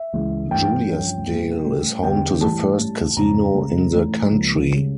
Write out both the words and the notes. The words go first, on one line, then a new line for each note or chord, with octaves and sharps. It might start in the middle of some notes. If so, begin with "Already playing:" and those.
Juliasdale is home to the first casino in the country.
Already playing: E5
C#2 C#3 E3
G2 E3 A3 C#4 G5
G2 F3 C#4
A#2 G3 A#3
A2 G3 C#4
E2 D3 G3 G5
A2 E3 G3 A5
A2 G3 C#4
F2 C#3 G3 A#5
C#2 C#3 G3
A2 E3 A3 C#4
C#2 C#3 F3 A#3
C#2 C#3 G3